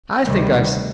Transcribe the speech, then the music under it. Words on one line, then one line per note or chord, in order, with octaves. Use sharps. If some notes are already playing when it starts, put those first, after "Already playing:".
I think I see.
D2 C3 D#3 G3